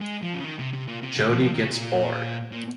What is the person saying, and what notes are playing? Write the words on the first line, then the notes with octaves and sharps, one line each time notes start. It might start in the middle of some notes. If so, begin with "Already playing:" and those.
Jody gets bored.
G#3
F3
C#3
D#3
C3
C3
A#2
C3
C#3
F3
F3
D#3
C#3
C3
A#2
A#2